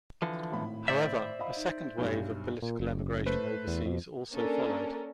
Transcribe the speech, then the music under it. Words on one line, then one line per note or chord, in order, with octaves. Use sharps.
However, a second wave of political emigration overseas also followed.
D3 E3 F3
G#1 A2 B5
C5 D5 E5
D#5 F5 B5
D#4
B1 G2
A#2
F#1
A3 B4 C5
E2
F2
A#3 C#4 D4 A4 A#4